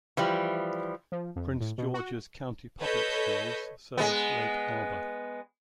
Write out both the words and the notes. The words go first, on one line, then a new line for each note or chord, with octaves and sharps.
Prince George's County Public Schools serves Lake Arbor.
E3 F3 G3
F3
F2
A2
B2
F#4
A4 B4 C#5 D#5 G6
G#3 B3